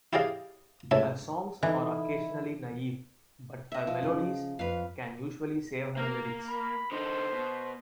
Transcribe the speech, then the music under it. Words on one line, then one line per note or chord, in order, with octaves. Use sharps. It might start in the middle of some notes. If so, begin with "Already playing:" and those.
Her songs are occasionally naive, but her melodies can usually save her lyrics.
E4 G4 G#4 D5 D#5 F5
C#2 A2 A4 C#5 E5
E3 D#4 E4 A4 D#5
D#5 E5
F3
C#3
F2 B4 F5
A#3 A#4
B5
D3 D#4 C5
B2